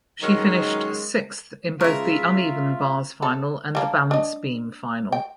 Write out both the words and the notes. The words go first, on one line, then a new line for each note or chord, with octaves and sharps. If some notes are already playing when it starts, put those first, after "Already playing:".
She finished sixth in both the uneven bars final and the balance beam final.
D#3 F#3 G#3 C#4 D#4 A#4
C#3 G#3 F4 A#4 B4 E5 C#6
A4
G3 A#3 D4
D4 D#5
G5